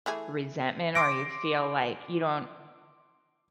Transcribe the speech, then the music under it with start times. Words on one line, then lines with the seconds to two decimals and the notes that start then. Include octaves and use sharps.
resentment or you feel, like, you don't
0.06 E3 A3 G#4
0.95 C6 D6 A#6 D7